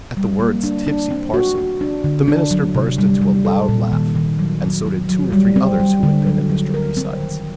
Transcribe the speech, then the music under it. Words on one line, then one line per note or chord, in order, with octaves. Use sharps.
At the words "tipsy parson," the minister burst into a loud laugh, and so did two or three others who had been at Mr. Reeside's.
G3
A#3
D4
D4
C4
F#4
F#4
D4
D3
D4
F#3
C3
G3
G3
A4
A#2
D#3
D#3
F#3
F#3
F#3
F#3
G3
C4
G3
D3
F#3
F#3
A#4
C4
D#3